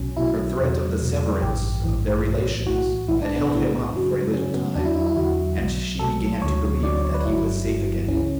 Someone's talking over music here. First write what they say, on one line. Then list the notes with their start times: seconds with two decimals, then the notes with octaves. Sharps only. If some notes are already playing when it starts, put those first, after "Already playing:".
Her threat of the severance of their relations had held him up for a little time, and she began to believe that he was safe again.
Already playing: B1 B2 F#3 C#4
0.17 B1 B2 F#3 E4
0.58 E2 B2 F#3
1.00 E2 B2 F#3
1.42 A1 G2 E3 G4
1.84 A1 G2 E3
2.26 B1 A2 E3
2.66 B1 A2 E3 F#4
3.08 B1 A2 E3 E4
3.22 D4
3.36 B3
3.50 B1 A2 E3 B3
3.92 F#2 C#3 F#3
4.34 F#2 C#3 F#3 C#4
4.54 B3
4.75 E2 D3 F#3 D4
4.85 E4
4.96 E4
5.06 E4
5.16 E2 D3 F#3 F#4
5.58 B1 B2 F#3
5.99 B1 B2 F#3 A4
6.42 D2 D3 F#3 C#5
6.83 D2 D3 F#3 D5
7.05 C#5
7.14 B4
7.25 G1 G2 F#3 E4
7.66 G1 G2 F#3
8.08 C#2 C#3 E3 C#4